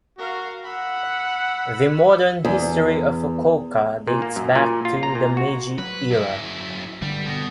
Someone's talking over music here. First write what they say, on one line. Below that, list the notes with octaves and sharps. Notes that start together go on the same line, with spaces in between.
The modern history of Fukuoka dates back to the Meiji era.
F#4 A#4 F5
F#5 B5 E6
E2
A#2
A#3
F#2
A#2
F4
A#5
A#2
F#4
F#3 B4
F#2 E4
G2 D3 G3
B2